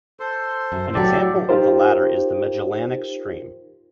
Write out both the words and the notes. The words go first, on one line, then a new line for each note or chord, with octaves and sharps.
An example of the latter is the Magellanic Stream.
A4 C5 C6
F#2
A2 F3 F#3 G4 A4 D5
D#4 F4 G4 A#4 C5